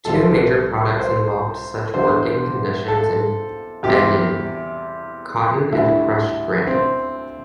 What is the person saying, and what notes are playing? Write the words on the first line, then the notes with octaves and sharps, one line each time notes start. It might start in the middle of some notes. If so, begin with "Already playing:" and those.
Two major products involved such working conditions in Benin: cotton and crushed granite.
C2 C3 G3 A4
C5
E2 D3 G3 C5
A4
E2 C3 G3 G4
D2 D3 G3 E4
C4